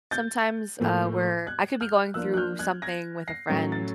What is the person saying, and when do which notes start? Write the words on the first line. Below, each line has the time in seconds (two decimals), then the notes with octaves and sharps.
sometimes, uh, we're I could be going through something with a friend,
0.11 G6 A6
0.80 A2 F3 A#3
1.47 F#6 G#6
1.81 F6 G6
2.14 F3 A#3 D4 E6 F#6
2.34 F#6
2.37 F6 G6
2.59 F#6 G#6
2.82 G#6 A#6
3.28 A#6 C7
3.49 A2 F#3 A3 C#4
3.72 A6